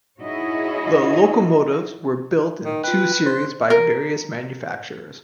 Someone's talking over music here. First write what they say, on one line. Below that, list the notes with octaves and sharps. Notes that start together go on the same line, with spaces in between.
The locomotives were built in two series by various manufacturers.
D#4 E4 F#4 G#4 C#5 D#5
D#3
F4 B4 G5
C5 C6 F#6
A#4